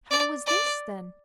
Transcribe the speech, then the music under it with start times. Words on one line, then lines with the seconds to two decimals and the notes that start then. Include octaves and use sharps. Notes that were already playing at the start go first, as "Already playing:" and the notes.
How was this, then?
0.11 D5
0.47 D5